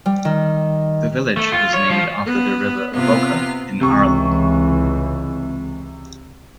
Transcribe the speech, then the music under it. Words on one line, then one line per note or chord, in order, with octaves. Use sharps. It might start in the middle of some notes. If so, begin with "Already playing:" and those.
The village is named after the River Avoca, in Ireland.
G3
D#3
A3
F4
C#5
F3
B3
C3 B3 F4 F6
C#2 C3 E3 C#6